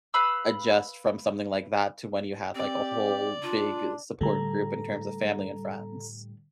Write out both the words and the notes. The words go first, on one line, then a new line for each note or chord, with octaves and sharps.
adjust from something like that to when you have, like, a whole big support group in terms of family and friends.
B4 F5 B5 E6
C4 G4 D5
D4 F4
A2 D3 G3 A4 A#5